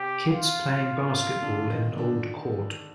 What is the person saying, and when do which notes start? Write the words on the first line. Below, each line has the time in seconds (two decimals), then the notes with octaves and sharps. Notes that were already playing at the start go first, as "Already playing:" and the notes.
Kids playing basketball in an old court.
Already playing: C3 C4 G4
0.32 F4
1.14 D3 D4
1.42 D3 D4
1.70 D#3 D#4
1.98 D3 D4